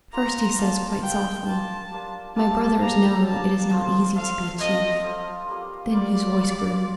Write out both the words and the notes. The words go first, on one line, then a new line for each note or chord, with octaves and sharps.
First he says quite softly, "My brothers know it is not easy to be a chief." Then his voice grew.
A#3 F4 C5 A#5
A#3 F4 C5 A5
A#3 F4 C5 G5
A#3 F4 C5 A5
A#3 D4 G4
A#3 D4 G4 A5
A#3 D4 G4 A#5
A#3 D4 G4 A5
F3 C4 F4 A4
F3 C4 F4 A4 F5
F3 C4 F4 A4 D#5
F3 C4 F4 A4
G3 A#3 F4
G3 A#3 F4 D5
G3 A#3 F4